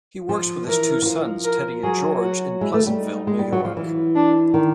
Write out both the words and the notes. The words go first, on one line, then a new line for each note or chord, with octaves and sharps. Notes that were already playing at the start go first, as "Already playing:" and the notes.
He works with his two sons Teddy and George in Pleasantville, New York.
F3
E3 A#4
E3
F3
A#4
F#3 G#4
F#4
G#3 E4
A3
G3
D#4
G#3
G3
F#3
F3
E3
D4
D#3